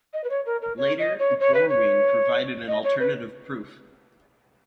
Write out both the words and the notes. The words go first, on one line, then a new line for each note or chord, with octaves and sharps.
Later, Borwein provided an alternative proof.
D#5
B4
C#5
A#4
A#4
C#5
D#5
C#5
C#5
B4
C#5
D#5
C#5
B4